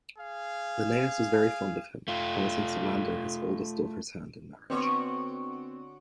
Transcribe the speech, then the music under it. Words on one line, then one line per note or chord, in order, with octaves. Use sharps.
Linnaeus was very fond of him, promising Solander his oldest daughter's hand in marriage.
G#4 F5
A3 F4
D3 B3 C4 F#4 C#5